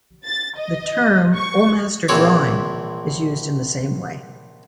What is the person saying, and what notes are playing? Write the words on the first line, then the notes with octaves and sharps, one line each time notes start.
The term "old master drawing" is used in the same way.
A6
D#5
C#6
A#1 E3 C4 C#5 D6